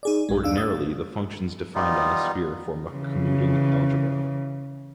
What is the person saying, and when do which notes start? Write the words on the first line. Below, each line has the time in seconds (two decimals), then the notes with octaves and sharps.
Ordinarily, the functions defined on a sphere form a commuting algebra.
0.03 D#4 G#4 D5
0.29 A#1 G#3
0.44 D#2 D4 F5 E6
0.57 D#6 E6 A6
1.75 G3 B3 D#4 F4
2.91 C#3 E3